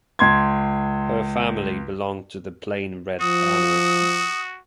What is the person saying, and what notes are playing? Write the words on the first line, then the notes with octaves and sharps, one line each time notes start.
Her family belonged to the Plain Red Banner.
C#2 C6 G#6
F3 F#4 D#6